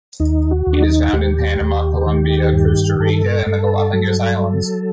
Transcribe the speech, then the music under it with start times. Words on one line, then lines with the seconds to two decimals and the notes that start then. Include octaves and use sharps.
It is found in Panama, Colombia, Costa Rica, and the Galapagos Islands.
0.20 D#2 D#4
0.51 F#4
0.67 D#2
0.73 D4
0.82 D#4
1.13 D#2 G4
1.60 D#2
2.06 D#3
2.53 G2
3.00 G2 A4
3.47 G2
3.93 F#3